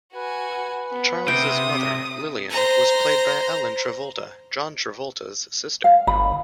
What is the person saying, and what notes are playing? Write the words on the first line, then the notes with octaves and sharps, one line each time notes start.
Charles' mother, Lillian, was played by Ellen Travolta, John Travolta's sister.
F#4 B4 G#5
B3
C3 G5 D#6
C5 A#5
F5
G1 B5